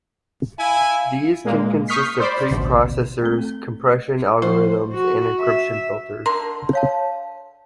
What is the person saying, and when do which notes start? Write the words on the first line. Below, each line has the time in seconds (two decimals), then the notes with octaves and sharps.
These can consist of pre-processors, compression algorithms, and encryption filters.
0.59 E4 F5 G#5
1.44 A#2 G#3 A#3
1.88 C#6 D#6 F6 G6 B6 C7
2.20 C5 D5 B5
2.51 A1 D2 B2
3.22 A3 C4 A4
4.42 F3 F4 F#4 C5
4.93 F#4
5.39 E5
6.26 D3 A#4 C6
6.73 C#5 F5 A5